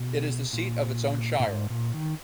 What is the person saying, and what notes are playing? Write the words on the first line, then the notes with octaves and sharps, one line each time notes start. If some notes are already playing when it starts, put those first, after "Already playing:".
It is the seat of its own shire.
Already playing: B2
A#2
A#2
G#2
A#2
D#3